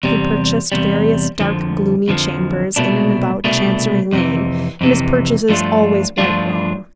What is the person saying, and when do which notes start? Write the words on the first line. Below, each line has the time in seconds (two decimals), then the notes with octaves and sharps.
He purchased various dark gloomy chambers in and about Chancery Lane, and his purchases always went wrong.
0.03 E2 C3 G3
0.72 E2 C3 G3
1.40 F2 D3 F3
2.08 F2 D3 F3
2.76 C2 B2 A3 D4
3.44 C2 B2 A3 D4
4.13 F2 C3 E3
4.81 F2 C3 E3
5.49 G2 F3 A3 D4 F4
6.18 G2 F3 A3 D4 F4